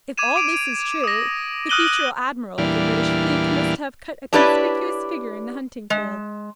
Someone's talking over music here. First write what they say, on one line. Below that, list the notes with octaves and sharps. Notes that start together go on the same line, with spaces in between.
If all this is true, the future admiral of the British Fleet must have cut a conspicuous figure in the hunting-field.
D6 G#6 D#7 E7
D6 D7
D#6 A#6
D#6 F6 F#6 D#7 F#7 G7
E2 A#2 E3 G3 D4 F6
D4 E4 G4 B4 C#5 D5
G#3